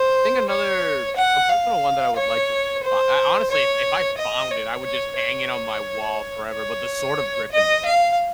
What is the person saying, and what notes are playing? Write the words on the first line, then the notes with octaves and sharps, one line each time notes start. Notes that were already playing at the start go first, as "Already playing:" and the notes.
I think another A personal one that I would like to bu I honestly, if if I found it, I would just hang it on my wall forever, but the sword of Gryffindor,
Already playing: C5
C#5
F#5
F5
C#5
C5
C#5
D#5
C#5
C#5
C#5
C#5
D#5
F5